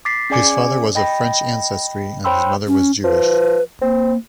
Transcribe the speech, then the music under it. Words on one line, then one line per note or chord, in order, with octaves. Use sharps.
His father was of French ancestry and his mother was Jewish.
D6 A6 B6 C7
C#4 G#4 D5 G#5 D6 C#7
D#5 G5 B5 A#6
C5 C#5 G5 B5 C6 E6
C#4
F3 B4
A#3 C4